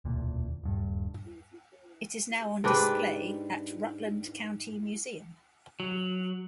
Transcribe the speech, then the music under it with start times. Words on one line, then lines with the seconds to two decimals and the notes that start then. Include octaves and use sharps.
It is now on display at Rutland County Museum.
0.05 E1 D2 A#2
0.64 D#1 G2
2.64 G#2 D4 G4 B4
5.80 F#3